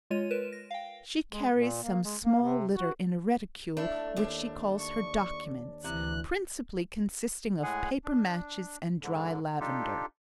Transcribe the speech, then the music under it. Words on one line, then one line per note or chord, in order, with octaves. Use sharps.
She carries some small litter in a reticule which she calls her documents, principally consisting of paper matches and dry lavender.
G#3 F4 C#5 D#7
A#4 B4 E7
A#6
F5 G5
G#3
A#2
A#3
G#3
A#3
C3
F#4
A3 D4 E4
D#2 D4
C#6
D2 C3 E3 F#6
A2 G#3 G#4 F#5 G#5
D4
G#2 D3
D4 D#4 F4 G4 A4